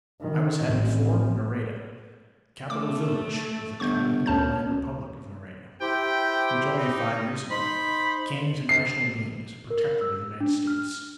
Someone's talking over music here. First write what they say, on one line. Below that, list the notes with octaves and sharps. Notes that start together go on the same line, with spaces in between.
I was headed for Nareda, capital village of the tiny Lowland Republic of Nareda, which only five years ago came into national being as a protectorate of the United States.
D#3
A1 A2 C4
A3 D6
G1 C#6 G6
D2 C#4 A5 G6
E4 G4 C5 G5
D#4
D#4 C5 B5 C6
C7
A#4
E6
D4
F6